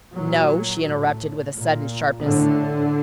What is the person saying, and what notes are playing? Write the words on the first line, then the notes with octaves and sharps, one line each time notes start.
"No," she interrupted, with a sudden sharpness.
A#2 F#3
A2
A#2
A2 D3